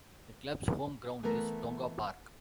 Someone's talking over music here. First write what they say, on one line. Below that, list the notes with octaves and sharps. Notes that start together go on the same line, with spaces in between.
The club's home ground is Tonga Park.
E3 A3 B3 C4 A#4